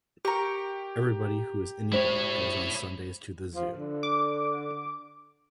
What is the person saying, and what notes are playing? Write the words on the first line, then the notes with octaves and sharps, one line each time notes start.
Everybody who is anybody goes on Sundays to the Zoo.
G4 A#4 C#6
G#3 E4 C5 C#5
F3
D3
D6